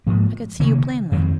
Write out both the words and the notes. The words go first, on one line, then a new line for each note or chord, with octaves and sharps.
I could see you plainly.
G#2 F3 A#3
C3 D#3 A#3 C#4
F2 D#3 F#3 C4